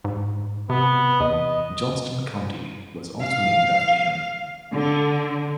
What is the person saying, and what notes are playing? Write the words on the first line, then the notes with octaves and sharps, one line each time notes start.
Johnston County was also named after him.
G#2
C3 B3
E2 D#5
F5
D3